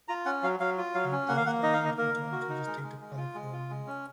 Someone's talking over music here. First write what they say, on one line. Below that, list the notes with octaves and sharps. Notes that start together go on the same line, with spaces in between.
When closed the land returned to the State of California.
F4 A#5
C#4 F#5
F#3 F5
F#3 F5
F4
F#3 F5
C#4
A#3 F#5
F5
A#3 F#5
D#4 D#5
F5
A#3 D#5
A#3 A#4
A#3
F#4
D#4
G#3
G#3
G#3
F4
G#3
F4
G#3
C#4